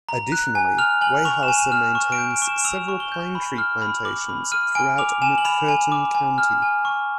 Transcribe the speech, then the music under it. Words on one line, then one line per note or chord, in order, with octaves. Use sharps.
Additionally, Weyerhaeuser maintains several pine tree plantations throughout McCurtain County.
A#5
F#6
G#5
F6 F7
G#5 F#7
C#6 F7
E7
G#5
D#7
F6
C#6
D7
G6
D7
C#6
E7
E6 F7
C#6
G7
G6
B5
F6
B5
D6 F#7
B5
F6 D#7
G#5 D7
D6 F7
G#5 E7
F#7
B5 F7
G#5
D6
G#5
F6
G#5
C#6